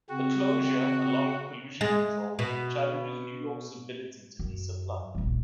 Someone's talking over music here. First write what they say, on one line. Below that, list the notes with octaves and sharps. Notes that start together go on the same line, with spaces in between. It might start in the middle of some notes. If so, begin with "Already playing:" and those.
The closure, along with pollution control, challenges New York's ability to be supplied.
C#3 C4 F#4
G#3
B2
F#2
D#1 A#1